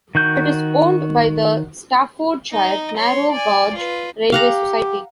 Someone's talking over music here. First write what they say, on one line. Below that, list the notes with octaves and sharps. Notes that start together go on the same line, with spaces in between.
It is owned by the Staffordshire Narrow Gauge Railway Society.
D#3 F#4 G6
D#4 D#5
C#5 C6
D5 G#5
F4 B4
G4 F5 F#5 A#5